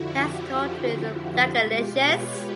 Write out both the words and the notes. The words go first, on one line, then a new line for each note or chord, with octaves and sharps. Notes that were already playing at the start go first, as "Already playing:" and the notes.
He has toured with Blackalicious.
Already playing: F2 D3 F3 E4 F#4
F4 G4
F4 G4
B2 G#3
B4 C#5